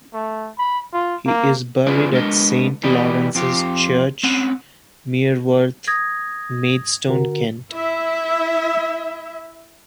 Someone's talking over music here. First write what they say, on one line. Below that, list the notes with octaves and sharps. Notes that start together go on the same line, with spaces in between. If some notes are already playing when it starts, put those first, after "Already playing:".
He is buried at Saint Lawrence's Church Mereworth, Maidstone, Kent.
A3
B5
F4
A#3
C#4 E4 F4 G#4 B4 D5
G#3 B3 D4 A#4 D#5
E3 B3 G4 B4 D5 D#5
F2 C4 F4 G4
C4 C#4 F#5
D#6 G#6 A#6
D3 F#4 A#4
E4 E5